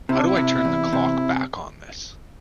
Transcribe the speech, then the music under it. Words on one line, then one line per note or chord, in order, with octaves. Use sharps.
How do I turn the clock back on this?
C3 E4
D4
E4
C3
E2
C3